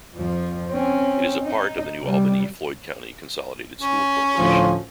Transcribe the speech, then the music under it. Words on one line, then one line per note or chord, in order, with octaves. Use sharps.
It is a part of the New Albany-Floyd County Consolidated School Corporation.
F2 F3
C4 C#4
D#4
C3 G3
C#4
D2 A2 F3